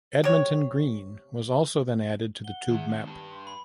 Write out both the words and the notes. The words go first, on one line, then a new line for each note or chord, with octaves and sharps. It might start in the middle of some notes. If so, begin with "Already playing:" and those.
Edmonton Green was also then added to the Tube map.
C3 C#5
F#5 G7
D#3 G#4 E5
G#3 C4 D#4
G2 G4 A5 B5
C6
B5